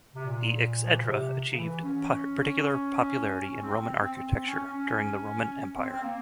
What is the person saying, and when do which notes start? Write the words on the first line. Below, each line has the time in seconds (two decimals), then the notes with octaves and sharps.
The exedra achieved particular popularity in Roman architecture during the Roman Empire.
0.15 C3
0.25 A#2
0.83 F3
0.90 E3
0.98 C#3
1.05 C3
1.53 C#3
1.57 E3
1.84 C#4
3.41 C#4
3.61 C4
3.81 C4
4.00 C4
4.20 C4
4.46 C#4
4.73 C#4
5.77 C4
5.93 C4
6.03 A#3